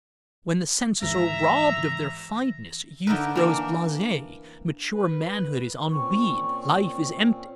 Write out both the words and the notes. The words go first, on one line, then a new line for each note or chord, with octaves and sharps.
When the senses are robbed of their fineness, youth grows blase, mature manhood is ennuied, life is empty.
G#2 D#3 E3 E5 A#5
D3 D#4 E4 A#4 B4
E3 A#3 D4
B4
A#2 C4 C#4 C#6